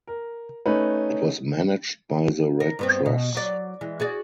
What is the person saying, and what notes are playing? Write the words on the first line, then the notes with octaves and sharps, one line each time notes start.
It was managed by the Red Cross.
A#4
A3 C#4 D#4 B4
A#4
G2 B3 C4
B2
F#3 D5
E3 G#3
F#4 G#4 D5